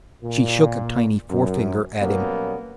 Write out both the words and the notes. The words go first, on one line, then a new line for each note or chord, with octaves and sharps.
She shook a tiny forefinger at him.
A#2
F#2
B2 F#3 G3 A#3 B3 C#4